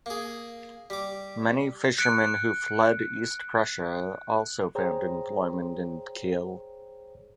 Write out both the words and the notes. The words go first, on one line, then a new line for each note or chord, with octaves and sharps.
Many fishermen who fled East Prussia also found employment in Kiel.
A#3 G#4
G3 D6
F#6 C#7 D7
G#4 C5 C#5 G5 A#5